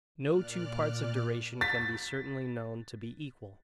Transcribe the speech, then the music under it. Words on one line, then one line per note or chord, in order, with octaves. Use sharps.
No two Parts of Duration can be certainly known to be equal.
A#2 D5 F6 F#6
A6 B6